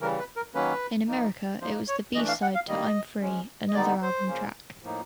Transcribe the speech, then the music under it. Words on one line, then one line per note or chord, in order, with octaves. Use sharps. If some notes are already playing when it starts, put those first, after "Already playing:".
In America, it was the B-Side to "I'm Free", another album track.
C#3 E3 G3 A#4
B4
A#4
D#3 F#3 A#3 C#4 B4
F3 A#3 D#4
F3 A#3 D#4 C5
C#5
E3 A3 D4 D#5
F5
F#5
F5
D#3 G3 A#3 D#5
F3 G#3 C#4
D#5
D3 G3 B3 D#4 D5
C5
C#3 F3 A#3 C#4
A2 F3 A#3 D#4